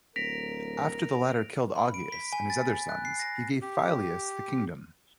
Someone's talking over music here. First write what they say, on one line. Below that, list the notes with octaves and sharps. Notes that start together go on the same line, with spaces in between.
After the latter killed Augeas and his other sons, he gave Phyleus the kingdom.
D1 A#4 A#6 B6 D7 F7
B5
D7
B6
G#5
A6
F#6
C7
A#6
G4